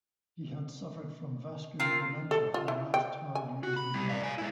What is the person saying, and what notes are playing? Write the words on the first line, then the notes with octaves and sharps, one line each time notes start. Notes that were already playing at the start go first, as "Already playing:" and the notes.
He had suffered from vascular dementia for the last twelve years of his life.
C4 F4 A#4 C7
A4
F4
E4
G5
G#5
F#4
B5
G3 C4
D5 F5
F5 G#5
G#3 E4